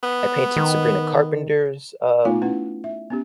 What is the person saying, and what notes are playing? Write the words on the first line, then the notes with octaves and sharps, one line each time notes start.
I painted Sabrina Carpenter's, um,
B3
D#3
A3 B3 D#4 F4 F5 G#5
C#4 E4 B4 F#5
E5
B3 C#4 G4